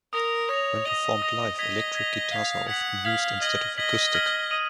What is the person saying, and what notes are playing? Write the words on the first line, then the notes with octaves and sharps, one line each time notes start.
When performed live, electric guitars are often used instead of acoustic.
A#4 D#6 A#6 F7
C#5 D#6 A#6 F7
D#5 D#6 A#6 F7
D#6 A#6 F7
D#5 G#6 B6 F7
G#6 B6 F7
F5 G#6 B6 F7
F#5 G#6 B6 F7
F5 F6 G#6 B6 F#7
D#5 F6 G#6 B6 F#7
D#5 F6 G#6 B6 F#7
F6 G#6 B6 F#7
D#6 G#6 D#7 F#7